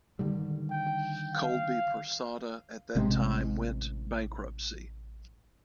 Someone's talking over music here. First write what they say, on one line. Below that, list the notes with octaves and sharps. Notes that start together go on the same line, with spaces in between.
Colby Persada at that time went bankruptcy.
D3 D#3 G3
G5
F5
A1 C3 G#3